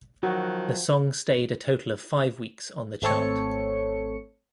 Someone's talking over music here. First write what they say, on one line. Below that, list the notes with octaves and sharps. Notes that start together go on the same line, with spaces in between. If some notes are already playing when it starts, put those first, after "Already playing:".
The song stayed a total of five weeks on the chart.
D#3 F3 F#3 F#4
G#1 A3 C4 A4 C#5 C#7